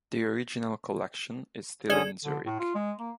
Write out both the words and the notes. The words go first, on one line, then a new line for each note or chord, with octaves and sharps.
The original collection is still in Zurich.
D3 C#4 G#4 D5 D#6 G#6
D3
A2
F4
G#3
A#3